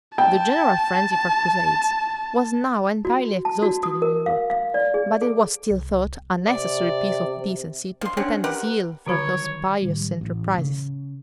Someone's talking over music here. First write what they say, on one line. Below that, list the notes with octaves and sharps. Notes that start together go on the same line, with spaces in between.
The general frenzy for crusades was now entirely exhausted in Europe; but it was still thought a necessary piece of decency to pretend zeal for those pious enterprises.
G5 A5
F#4
A5
F#4
D#6
A#4
F5
F5
D5
G#4
A4
C2
C3 D5
F3 C6
D3 C4 C#4
G4 A#4 B4 F#5
D3 D#3 F#3 G3 F#4 C#5 B5
A2 D#3 F#3 G3
A1
C#3